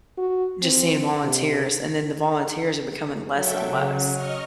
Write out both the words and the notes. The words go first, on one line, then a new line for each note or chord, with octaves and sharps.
just seeing volunteers and then the volunteers are becoming less and less,
F#4
C4
C3
F#3 A4 E5 G5
C#3
D#5 C#6 F6